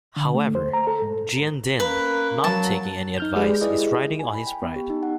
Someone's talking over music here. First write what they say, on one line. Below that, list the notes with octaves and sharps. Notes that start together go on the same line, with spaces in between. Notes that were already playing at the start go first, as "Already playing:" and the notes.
However, Gian Dinh, not taking any advice, is riding on his pride.
D3
A3
C5
A#5
A4
G#2
A#3 C#4 B4
F#3 A5
D#4 F6 G6
G#3 G4 G#4 B4 D5 G5
E4 G4 G#4 B4 D5 D#5
G#5
B5
G5
B3
G4
D#4
F#5